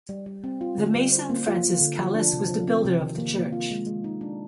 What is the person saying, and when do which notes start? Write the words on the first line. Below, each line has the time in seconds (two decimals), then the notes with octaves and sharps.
The mason Francis Callus was the builder of the church.
0.09 G3
0.26 G3
0.44 C4
0.61 F4
0.78 D3
0.95 G3
1.12 C5
1.30 A#3
1.47 F4
1.64 F4
1.81 D3
1.99 F3
2.15 D4
2.33 C3
2.49 F3
2.68 C4
2.85 C3
3.01 D#3
3.18 A#3
3.35 A#3
3.52 F4
3.71 G#3
3.87 G#3
4.04 D#4
4.21 D4